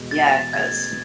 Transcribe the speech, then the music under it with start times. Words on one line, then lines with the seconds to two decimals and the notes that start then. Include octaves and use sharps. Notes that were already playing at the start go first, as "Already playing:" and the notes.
Yeah, it does.
Already playing: E2 B2 G#3
0.11 A6
0.53 B2 A3 C#4 G#4 G#6